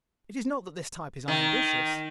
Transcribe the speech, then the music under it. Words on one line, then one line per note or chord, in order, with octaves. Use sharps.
It is not that this type is unambitious.
D#3